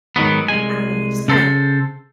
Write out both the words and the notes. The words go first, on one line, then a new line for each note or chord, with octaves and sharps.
I don't know, it just kinda
G#2 D#3 F#3 B3
C2 G#3 G#5
C#3 A4 C5